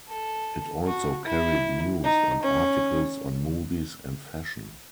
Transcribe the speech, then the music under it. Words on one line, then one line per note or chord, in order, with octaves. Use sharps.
It also carried news and articles on movies and fashion.
A4
F#4
E4
D#4
C#4